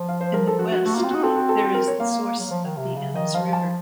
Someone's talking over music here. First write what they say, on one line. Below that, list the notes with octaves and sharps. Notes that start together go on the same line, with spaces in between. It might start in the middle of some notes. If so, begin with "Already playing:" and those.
In the west there is the source of the Ems river.
Already playing: F3
F5
C5
A#4
A4
F#4
F#4
A3 F#4
A#3 F4
C4
D#4 F#4
C4 A4
F#4
A4
F#4
A#4
C#5
A#3 F5
F#3
F3
D#3
C3
C#3
D#3 D#5
F3 F5
A5